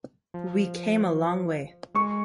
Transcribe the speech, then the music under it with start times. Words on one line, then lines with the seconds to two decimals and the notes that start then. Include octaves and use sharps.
We came a long way.
0.34 F3
1.95 G#3 C#6